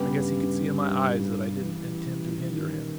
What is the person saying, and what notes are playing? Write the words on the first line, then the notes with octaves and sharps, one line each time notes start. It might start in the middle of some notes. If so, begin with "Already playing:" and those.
I guess he could see in my eyes that I didn't intend to hinder him.
Already playing: G2 C#3 G3 B3 G4
E3
D#3